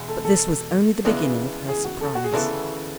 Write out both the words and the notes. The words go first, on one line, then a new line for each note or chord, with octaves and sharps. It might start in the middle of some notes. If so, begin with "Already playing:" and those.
But this was only the beginning of her surprise.
Already playing: E2 B2 G#3
A4
A4
C#3 E3 G#3 B3 D4
G#4
F#4
A4
F#4
G#4
D2 C#3 E3 B3 A4